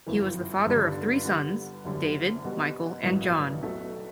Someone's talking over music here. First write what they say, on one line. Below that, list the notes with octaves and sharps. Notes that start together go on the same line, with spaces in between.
He was the father of three sons, David, Michael, and John.
G1 F#2 E3
G1 G2 D3 G3 D4
D3 G3 B3
F#1 F#2 D3 G3
B2 G3 B3
A1 G2 F#3
B2 F#3 A3